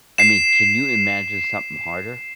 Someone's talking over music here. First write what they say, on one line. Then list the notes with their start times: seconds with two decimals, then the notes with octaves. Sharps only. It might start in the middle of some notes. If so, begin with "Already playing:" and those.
I mean, can you imagine something harder?
0.18 C7 E7